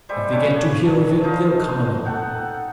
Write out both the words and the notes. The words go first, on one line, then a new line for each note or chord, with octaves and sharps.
If they get to hear of it they'll come along.
G3 G#3 C5 E5
C#3 D4 C#5 C#6
A5
D#4 D#5 F5 C6
A4 F#5 G5